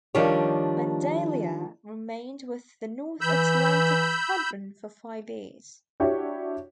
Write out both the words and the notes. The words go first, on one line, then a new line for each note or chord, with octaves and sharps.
"Vandalia" remained with the North Atlantic Squadron for five years.
D#3 F3 G3 D4 G4 C#5
E3 B5 E6 G6
D4 E4 F#4 G4 C#5